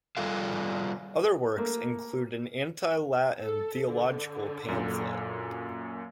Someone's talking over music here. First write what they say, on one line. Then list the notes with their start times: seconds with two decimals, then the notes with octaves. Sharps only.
Other works include an anti-Latin theological pamphlet.
0.17 G3 F4 G#4 A4 F5
1.58 A3 A#3
3.41 A4
3.87 D3
4.68 F#2 A#2